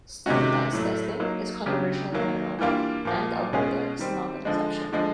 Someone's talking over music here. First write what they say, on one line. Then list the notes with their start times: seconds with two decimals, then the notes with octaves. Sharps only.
Standardized testing is controversial in general, and Alberta is not an exception.
0.26 C3 D#3 G#3 C#4 F#4
0.72 A2 F#3 A3
1.20 F#3 A#3 D#4
1.66 C#3 F#3 B3 D4 G4
2.13 D#3 F#3 A#3
2.59 E3 G3 A#3 D4 F4
3.05 A#2 F3 A#3
3.53 B2 G#3 C#4 F4 G#4
3.99 D#3 G3 C4
4.45 D3 F3 G#3
4.92 D3 F3 G#3